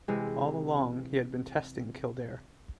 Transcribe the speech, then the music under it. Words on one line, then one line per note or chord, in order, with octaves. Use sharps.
All along, he had been testing Kildare.
C3 E3 G#3